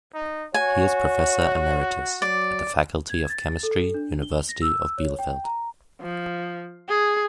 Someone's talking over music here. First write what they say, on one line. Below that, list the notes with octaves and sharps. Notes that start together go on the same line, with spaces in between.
He is Professor Emeritus at the Faculty of Chemistry, University of Bielefeld.
D#4
F#4 C#5 G#5
F#3 D5
G#6
A6
A4
D4
G7
A#6
E6
C#5
G5
A#5
F3
G#4